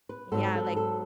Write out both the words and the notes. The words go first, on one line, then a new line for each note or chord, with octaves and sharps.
Yeah, like
B4
G#2 F#3 B3 A4
A4
A4